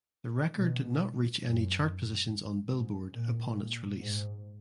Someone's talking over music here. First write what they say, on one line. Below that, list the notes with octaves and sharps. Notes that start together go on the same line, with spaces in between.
The record did not reach any chart positions on "Billboard" upon its release.
B2
F#2
G#2
A#2
A#2
G#2